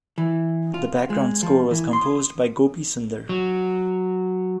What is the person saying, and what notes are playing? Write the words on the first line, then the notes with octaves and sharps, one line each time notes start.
The background score was composed by Gopi Sundar.
E3
F4
G#3
F3
E3
C6
F#3